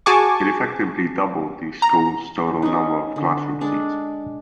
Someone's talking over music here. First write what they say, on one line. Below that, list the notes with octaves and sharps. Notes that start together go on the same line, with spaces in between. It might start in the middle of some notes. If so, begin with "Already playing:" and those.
It effectively doubled the school's total number of classroom seats.
F#4 G#4 G#5 A5 C#6 D6
A#5
C#4 D#4
D3
G#3 D4 A4